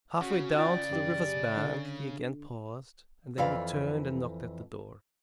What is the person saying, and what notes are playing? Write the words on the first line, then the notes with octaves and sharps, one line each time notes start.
Halfway down to the river's bank he again paused, and then returned and knocked at the door.
C#3 F#4
F4 D5 F#5 G5
F#2 G4
D3
F2 E3 D5 F5